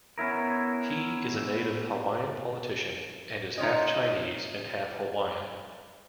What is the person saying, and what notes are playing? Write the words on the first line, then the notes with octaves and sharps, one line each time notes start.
Hee is a Native Hawaiian politician, and is half Chinese and half Hawaiian.
B3 C#4 E4 A#4
D#4 F4 C#5 D#5